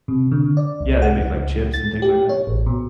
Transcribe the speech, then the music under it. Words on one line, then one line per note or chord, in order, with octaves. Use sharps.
Yeah, they make, like, chips and things like that.
C3
D3
D5
C2
F#5
C#2
A6
G4
C#5
A1
B2